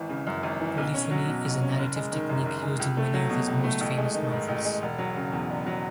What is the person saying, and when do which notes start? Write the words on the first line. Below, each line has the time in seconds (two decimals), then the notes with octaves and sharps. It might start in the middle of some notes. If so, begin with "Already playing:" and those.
Polyphony is a narrative technique used in many of his most famous novels.
Already playing: G#1 E3
0.09 C#3
0.27 F#2
0.43 G#1
0.60 E3
0.77 B1
0.94 C#4
1.11 F#3
1.28 B2
1.45 B1
1.62 C#4
1.78 F#1
1.96 G#3
2.12 D#3
2.29 F#2
2.45 F#1
2.62 G#3
2.79 C#2
2.97 A3
3.14 F#3
3.30 B2
3.47 C#2
3.64 A3
3.80 A1
3.97 G#3
4.14 D#3
4.31 G#2
4.48 A1
4.65 G#3
4.82 E1
4.98 F#3
5.16 C#3
5.32 E2
5.50 E1
5.66 F#3